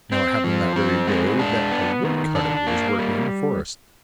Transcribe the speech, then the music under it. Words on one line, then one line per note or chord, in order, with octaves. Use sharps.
Now it happened that very day that a woodcutter was working in the forest.
C4
F3
C4
G#3
D4
B3
D#3
D4
A#3
G3